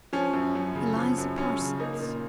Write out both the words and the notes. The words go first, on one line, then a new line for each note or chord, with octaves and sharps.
"Eliza Parsons."
F3 C#4
F#2
F#2
C#3
F3
F#2
F#2 C#4
C#3
A#3 D#4
A#2